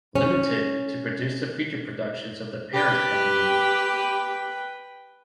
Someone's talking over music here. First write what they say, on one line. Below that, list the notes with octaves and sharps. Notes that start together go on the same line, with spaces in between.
Limited, to produce the feature productions of the parent company.
C#4
G4 B4 G5